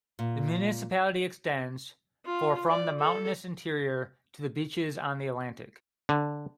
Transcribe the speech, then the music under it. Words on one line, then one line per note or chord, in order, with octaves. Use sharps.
The municipality extends for from the mountainous interior to the beaches on the Atlantic.
A#2
F4
D5
A4
D3